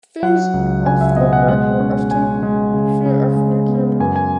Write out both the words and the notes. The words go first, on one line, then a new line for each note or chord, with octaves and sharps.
Themes of the work were often fear of nuclear war.
F#3 F#5
C#2
C#2 G#5
E5
B2 D#5
F#5
G#3 F#5
C#4
G#3 G#5
G#3
C#3
C#3
G#3
B3
F#2 G#5
G#5